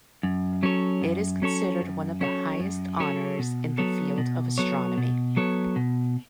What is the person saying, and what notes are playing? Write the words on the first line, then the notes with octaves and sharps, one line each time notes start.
It is considered one of the highest honors in the field of astronomy.
F#2
F#3 C#4 A4 C#5
F#2
F#3 C#4 A4 C#5
F#2
F#3 C#4 A4 C#5
F#2
F#3 C#4 A4 C#5
B2
F#3 B3 A4 C#5
B2
F#3 B3 A4 C#5
B2
F#3 B3 A4 C#5
B2